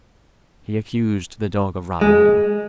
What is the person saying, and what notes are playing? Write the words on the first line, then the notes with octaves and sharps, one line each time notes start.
He accused the dog of robbing him.
G#3